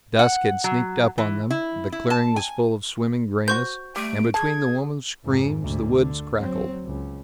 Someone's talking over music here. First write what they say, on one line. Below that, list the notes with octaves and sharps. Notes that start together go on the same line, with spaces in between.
Dusk had sneaked up on them; the clearing was full of swimming grayness, and between the woman's screams, the woods crackled.
F#5
F#3
E3
E4
E4
A5
G#5
F#4 C5 C#6 G6
G3 A3 D7
G#4 A5 G#6
F2 G#2
D2 G#2
D3
F#3 C4
C#2